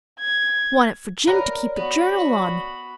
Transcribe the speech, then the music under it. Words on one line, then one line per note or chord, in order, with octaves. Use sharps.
"Want it for Jim to keep a journal on."
G#6
F#3 A#4 B4 C#5 D5
B3 F#4 B5